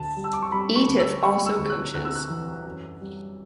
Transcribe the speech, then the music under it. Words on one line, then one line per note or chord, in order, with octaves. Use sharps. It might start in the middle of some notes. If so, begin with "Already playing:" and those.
Eatough also coaches.
Already playing: D2 A5
G3
E6
D6
C#6
G3 B5
C#6
D2
E6
G3 C#6
E6
D2
F#6
D2 F#6
E6
F#6
E3
F#2
G3